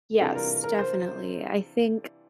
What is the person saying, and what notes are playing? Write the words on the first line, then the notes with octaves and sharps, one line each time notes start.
Yes, definitely. I think
C3 E3 G3 D4 F4 A4
A#4
A#4
C5